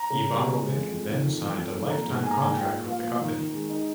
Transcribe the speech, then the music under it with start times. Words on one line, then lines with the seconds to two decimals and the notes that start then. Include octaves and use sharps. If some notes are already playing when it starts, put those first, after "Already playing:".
Ivanovic then signed a lifetime contract with the company.
Already playing: A#5
0.10 C#3
0.26 G3
0.43 C#3
0.59 G#3
0.76 F2
0.92 F2
1.08 D#3
1.25 F2
1.41 F2
1.57 F2
1.74 F2
1.90 A#3 A#5
2.07 G#2
2.23 A#3 G#5
2.31 A#5
2.39 G#2 G#5
2.55 A#2 G5
2.72 A#3
2.88 F3 F5
3.04 A#2
3.21 D#3
3.37 D#3
3.53 G#3
3.70 D#4